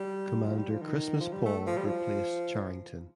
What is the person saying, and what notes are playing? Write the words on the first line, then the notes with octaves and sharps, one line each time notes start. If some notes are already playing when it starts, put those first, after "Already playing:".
Commander Christmas Paul replaced Charrington.
Already playing: G3
F3
G3
F3
D#3
F3
G3
A3
F3
G3
F3